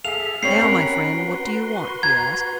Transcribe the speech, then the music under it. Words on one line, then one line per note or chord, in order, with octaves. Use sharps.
"Now, my friend, what do you want?" he asked.
G#4 A4 E5 F5 C7 F7
G3 C4 C#4 C#5 F#5 B5 C7
A#4
F#4 B4 C6
A#5 G#6